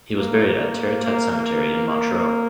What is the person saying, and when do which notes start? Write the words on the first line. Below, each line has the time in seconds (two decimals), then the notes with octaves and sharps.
He was buried at Territet Cemetery in Montreux.
0.17 A#3
0.46 A#3
1.03 A#3
1.31 A#3
1.88 A#3